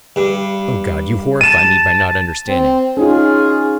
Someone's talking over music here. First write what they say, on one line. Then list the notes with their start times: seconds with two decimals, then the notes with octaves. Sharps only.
Oh, God, you horrify me by not understanding!
0.16 G2
1.41 A5 D#7 E7
2.48 C4
2.97 C#4 D#4 F4 G#4